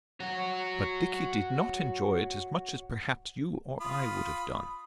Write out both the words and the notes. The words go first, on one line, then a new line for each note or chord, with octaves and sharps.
But Dickie did not enjoy it as much as perhaps you or I would have done.
F#4 C#5
F4 B5 D#6